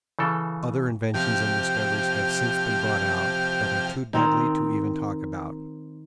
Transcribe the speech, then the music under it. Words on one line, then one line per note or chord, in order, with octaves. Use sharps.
Other inventions and discoveries have since been brought out that are too deadly to even talk about.
C#3 E3 A4
C3 F3 G4 F6
D#3 C4 D#4